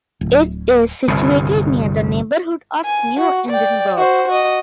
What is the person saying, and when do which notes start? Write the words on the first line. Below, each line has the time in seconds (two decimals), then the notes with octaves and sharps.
It is situated near the neighbourhood of New Edinburgh.
0.21 D1
1.08 G1 C2 C#3
2.85 G#5
3.20 F#4
3.49 D5 G5
3.97 F#4 C5
4.28 F#4 D#5